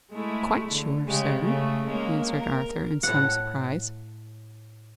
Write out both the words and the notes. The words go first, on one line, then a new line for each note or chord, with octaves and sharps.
"Quite sure, sir," answered Arthur, in some surprise.
G#3 A3 E4
D3
C#3 G#3 G4
C#3 A3
G#3 A#3 C#4
A#4
A2 F#5